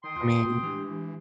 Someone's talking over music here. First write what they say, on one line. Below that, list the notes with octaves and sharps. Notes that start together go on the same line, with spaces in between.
I mean
D#3 G5 C6 D#6
D#2 F4 B4
A2 A3 F#4
E3 G#3 D4 G4